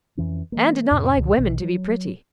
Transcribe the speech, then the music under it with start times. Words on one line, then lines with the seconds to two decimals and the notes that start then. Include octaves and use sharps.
Anne did not like women to be pretty.
0.17 F2 E3 C#4
0.52 E3 G#3 A#3
0.91 F2 A2 C3
1.18 C#2 B2 D3 D#3
1.37 A#1 B2 D#3
1.62 F#3